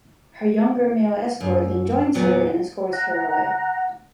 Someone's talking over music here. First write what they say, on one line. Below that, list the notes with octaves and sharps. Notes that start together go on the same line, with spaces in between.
Her younger male escort then joins her and escorts her away.
F#2
E2 A#2 F#3 B3
F#5 A#5